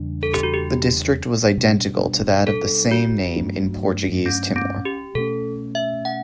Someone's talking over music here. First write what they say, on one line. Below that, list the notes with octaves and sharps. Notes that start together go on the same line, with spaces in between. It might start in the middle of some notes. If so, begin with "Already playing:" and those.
The district was identical to that of the same name in Portuguese Timor.
Already playing: E2 C#3 G3 D4
A4
G4
F#4
G4
B2 G3 D4
A4
F#4
G2 F#3 A3 D4
C#4
C#4
G4
B2 A3 C#4 A4
E5
F#5